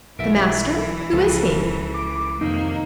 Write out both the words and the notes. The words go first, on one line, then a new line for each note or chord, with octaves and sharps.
"The master?--who is he?"
B1 E3 B3 A#4 E5
C#2 F3 A4 B4
D6
F2 C3 D#3 A#3 C4 D#4